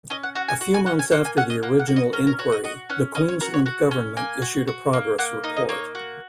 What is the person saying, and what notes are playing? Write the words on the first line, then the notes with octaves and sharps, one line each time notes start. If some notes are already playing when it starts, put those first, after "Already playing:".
A few months after the original Inquiry, the Queensland Government issued a progress report.
C#4 D#5
F#5
F#4 F#5
G#5
F#4
G#5
C#4 F#5
G#5
A#3 F#5
G#5
C#4 F#5
D#5
A#3 F#5
F#5
F#4
D#5
C#4 A#4
A#4
F#4 C#5
D#5
F#4 D#5
C#4 F#5
C#4 D#5
C#5
F#4 A#4
C#5
F#4 F#5
C#4
A#3 G#5
F#4
F#4
A#3
A#3 F#5
D#4 D#5
D#5
A#3 C#5
F#4